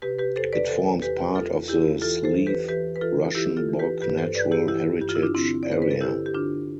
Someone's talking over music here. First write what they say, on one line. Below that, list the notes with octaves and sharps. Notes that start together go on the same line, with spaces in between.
It forms part of the Slieve Rushen Bog Natural Heritage Area.
C3 G4 B4
G4 B4
E2 A4 C5
B4 D5
E3 A4 C5
E2 G4 B4
E2 F4 A4
E2 E4 G4
E3 F4 A4
A4 C5
E3
G4 B4
E3 G4 B4
B4
E3 F4 A4
E3 E4 G4
F4 A4
E3
G4 B4
G2 G4 B4
A4 C5
G2 B4 D5
E4 G4
E3 E4 G4
G2 G4
F4
E4
D4 F4
D3 C4 E4
D5
G2 C5
B4
A4
D3 E4 G4
G4
D3 D4 F4